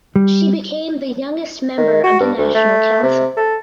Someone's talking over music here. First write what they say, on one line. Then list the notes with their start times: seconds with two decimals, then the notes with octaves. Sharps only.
She became the youngest member of the National Council.
0.16 G3
1.77 D#3
2.03 F#4
2.20 G2
2.38 D2
2.54 A3
3.03 C3
3.37 A4